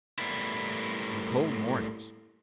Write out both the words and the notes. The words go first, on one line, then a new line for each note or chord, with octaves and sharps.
And cold mornings.
A2 G3 A#3 B3 E4